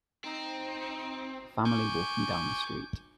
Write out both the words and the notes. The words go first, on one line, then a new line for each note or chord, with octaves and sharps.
A family walking down the street.
C4 D#4
G#5 C#6 D6 G6